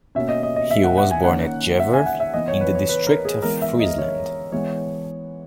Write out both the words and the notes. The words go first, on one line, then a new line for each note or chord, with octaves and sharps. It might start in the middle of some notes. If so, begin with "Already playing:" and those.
He was born at Jever in the District of Friesland.
B2 A#3 C#4 E5
D#5
D#5
D#5
E5
F#5
F#5
G#5
D#3 A#3 C#4 F#5
E5
G#5
F#5
E5
E3 B3 D#5
C#5
B4
C#5
B4
A#4
G#4
E3 G#3 B3 A#4
E5
D#5
C#5
E3 G#3 B3 C#5